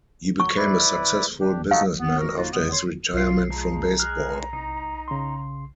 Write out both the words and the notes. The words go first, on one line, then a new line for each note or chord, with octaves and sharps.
He became a successful businessman after his retirement from baseball.
F#3 C#6
E4 B4 D5
D4 G4
D#4 F#4 A4 F5
B3
F#4 A#4
A#3 D#4 F4 F#4
C#3 G#3 B3
C#5 C6
B1 F4 C7
F3 G#3 A#5
G#3 G#4 F6 F#6
C2 D#4
C#3 C6